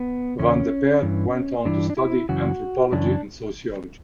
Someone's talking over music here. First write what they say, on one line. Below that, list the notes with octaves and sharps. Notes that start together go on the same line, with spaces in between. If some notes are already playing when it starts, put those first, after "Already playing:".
Van de Perre went on to study anthropology and sociology.
Already playing: B3
E2 C#3 C#4
G2 E3
G2 E3 D4
D4
E4
F#2 C#3 E3 F#4
F#2 C#3 E3 D4